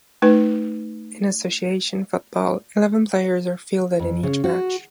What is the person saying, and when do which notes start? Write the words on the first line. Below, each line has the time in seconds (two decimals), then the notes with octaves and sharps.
In association football, eleven players are fielded in each match.
0.22 A3 D#4 B4
3.99 F2
4.23 C#3
4.44 F#4